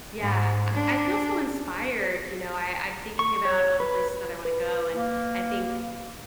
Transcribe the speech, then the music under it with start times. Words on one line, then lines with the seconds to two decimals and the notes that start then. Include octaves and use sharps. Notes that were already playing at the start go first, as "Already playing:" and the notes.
Yeah, I I feel so inspired, you know, I I'm thinking about all the places that I wanna go and I think
0.21 G#2
0.73 D4
3.19 C#6
3.45 C#5
3.80 B4
4.45 B4
4.93 A#3